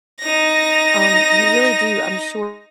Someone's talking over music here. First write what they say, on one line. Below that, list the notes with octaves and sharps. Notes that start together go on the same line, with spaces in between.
um, you really do, I'm sure,
D#4 A#6